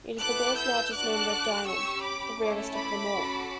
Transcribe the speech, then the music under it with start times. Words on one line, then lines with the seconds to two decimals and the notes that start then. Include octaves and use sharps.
It is the world's largest known red diamond, the rarest of them all.
0.21 B3 E4 A4 D6 F#6
0.57 E6 G6
0.94 D4 F#4 A4 D6 F#6
1.66 C#4 G4 C#6 E6
2.03 B5 D6
2.39 A3 C#4 E4 A4
2.75 B5 D6
3.12 C#4 F#4 A4